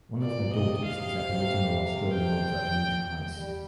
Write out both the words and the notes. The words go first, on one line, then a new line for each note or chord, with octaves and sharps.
One of her daughters is Aboriginal Australian author Anita Heiss.
A#2 D5
C3 D#5
C3 F5
G5
G3